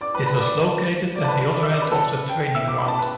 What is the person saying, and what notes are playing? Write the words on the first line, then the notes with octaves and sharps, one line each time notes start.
It was located at the other end of the training ground.
D5 D6
B4 B5
B4 B5
D5 D6
D5 D6
A5
B4 B5
B4 B5
D5 D6
E5 E6
D5 D6
B4 B5
A4 A5
G5
G5
E5 E6
D6
B5
A5
B4 B5